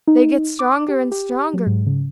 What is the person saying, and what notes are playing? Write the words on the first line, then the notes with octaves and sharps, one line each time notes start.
They get stronger and stronger.
D#4
D6
G4
G4
F#3
G#2
C#3